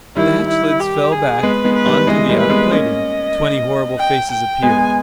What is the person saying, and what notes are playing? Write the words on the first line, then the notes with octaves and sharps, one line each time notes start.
The hatch lids fell back onto the outer plating. Twenty horrible faces appeared.
D#3 G3 E4
E4
G4
G#4
G#3 B3 B4
G#3 B3
B4
D#3 G3
E3 G#3 D#5
G3 A#3
B4
G#3 B3
A#3 C#4 D#5
G5
G5
G#3 B3 G#5